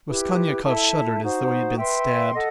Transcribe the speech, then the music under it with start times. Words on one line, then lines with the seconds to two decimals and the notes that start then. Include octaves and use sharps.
Raskolnikov shuddered as though he had been stabbed.
0.08 E4 G4 B4
0.64 E4 A4 E5 A5
1.20 D#4 F#4 C5 F#5
1.77 B4 E5 G5 C6
2.34 A4 D#5 F#5